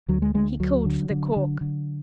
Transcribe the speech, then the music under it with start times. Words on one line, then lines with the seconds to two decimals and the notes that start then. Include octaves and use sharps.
He called for the cork.
0.08 D2 F#3
0.22 G#3
0.34 D2 G#3
0.60 D2 F#3
0.86 D3
1.10 D3
1.36 D3
1.61 D3